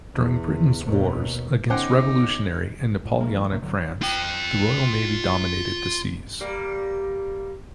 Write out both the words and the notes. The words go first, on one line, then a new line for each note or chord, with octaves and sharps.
During Britain's wars against revolutionary and Napoleonic France, the Royal Navy dominated the seas.
E2
D#2 B2
D3 B3 C#4 D#4 C5 F#5 G5 D6
A2
G#3 A#3
F1 F3 A3
D1 A1 C3 A#3
C2 G2 D3 F#3
F4 G5
G3 A#3